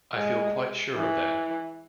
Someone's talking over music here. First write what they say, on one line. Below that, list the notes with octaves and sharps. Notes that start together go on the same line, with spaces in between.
I feel quite sure of that.
G#3
E3